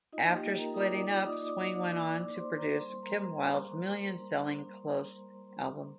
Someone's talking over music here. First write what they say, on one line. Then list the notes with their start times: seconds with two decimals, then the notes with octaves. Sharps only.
After splitting up, Swain went on to produce Kim Wilde's million-selling "Close" album.
0.13 D#4 F4 D#5
0.28 A#3
0.35 G4 G5
0.42 A#3
0.58 A#3 A#4 A#5
0.72 F4 D#6
0.80 D5 D6
0.87 F4
1.01 D#4 D5 D6
1.17 A#3
1.25 D#5 D#6
1.32 D#4
1.46 D#4 D5 D6
1.61 D#4
1.76 A#3
1.91 A#3
2.06 A#3
2.20 D#4
2.35 A#3 C5 C6
2.50 A#3
2.57 A#4 A#5
2.66 A#3
2.80 G3 C5 C6
2.95 G3
3.03 A#4 A#5
3.10 G3